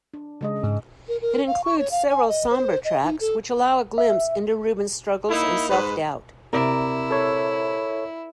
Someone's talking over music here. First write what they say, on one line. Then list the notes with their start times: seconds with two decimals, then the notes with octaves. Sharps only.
It includes several somber tracks which allow a glimpse into Reuben's struggles and self-doubt.
0.14 D4
0.41 C#3 G#3 D#5
0.63 G#2
1.08 A#4
1.22 A#4
1.47 F5
1.64 C#6
1.79 C#5
1.91 F5
2.09 G#5
2.28 D#5
2.51 C5
2.85 D#5
3.04 D#4
3.20 A4
3.98 E5
5.30 A#3 D#4 E4
5.70 G#2 B4
6.53 C3 E4 A#4 D5
7.11 A4 C#5